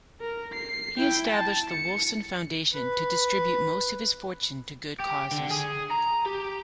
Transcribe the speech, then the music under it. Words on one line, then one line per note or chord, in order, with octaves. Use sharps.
He established the Wolfson Foundation to distribute most of his fortune to good causes.
A#4
C7
E4 G5
A5
C#7
B4
G4
D3
G#4
A#5
G4